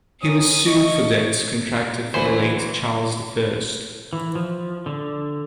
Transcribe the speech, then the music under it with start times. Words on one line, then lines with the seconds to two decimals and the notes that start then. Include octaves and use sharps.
He was sued for debts contracted for the late Charles the First.
0.22 C#4 A#4 D#6
0.67 A3 D#5 C#6
2.14 D2 E3 F#3 C#4 B4 C5
4.13 E3
4.35 F3
4.86 D3